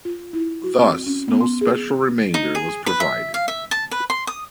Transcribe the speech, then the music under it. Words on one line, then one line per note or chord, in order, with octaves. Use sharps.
Thus no special remainder was provided.
F4
E4
F#4
C4
C#4
B3
C6
G#4
D#4
G#4
B4
E5
F5
E5
A5
B4
C6
D#6